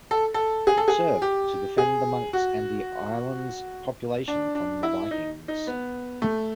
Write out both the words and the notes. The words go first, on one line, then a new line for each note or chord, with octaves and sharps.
It served to defend the monks and the island's population from the Vikings.
A4
A4
G#4
A4
G#4
G4
G#4
F#4
D4
D4
E4
D#4
D#4
B3
A3